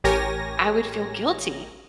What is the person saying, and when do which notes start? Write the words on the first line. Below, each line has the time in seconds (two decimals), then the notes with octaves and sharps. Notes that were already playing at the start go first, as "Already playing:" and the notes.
I would feel guilty
0.04 A1 G4 A#4 C#5 G#5 A#6